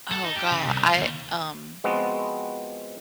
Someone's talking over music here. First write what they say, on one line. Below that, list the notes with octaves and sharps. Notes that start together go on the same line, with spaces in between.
Oh, go I, um
A4
D#4
G4
C#3
C2
F4
D#2
F3 G#3 B3 C4 F#4